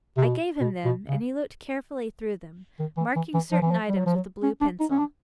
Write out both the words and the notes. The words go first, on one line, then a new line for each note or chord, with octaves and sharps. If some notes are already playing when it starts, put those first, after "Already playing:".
I gave him them and he looked carefully through them, marking certain items with a blue pencil.
C3
B2
B2
B2
C#3
D#3
E3
E3
E3
F3
E3
F3
G3
F#3
F3
F#3
C#4
D4
D#4
C#4
D4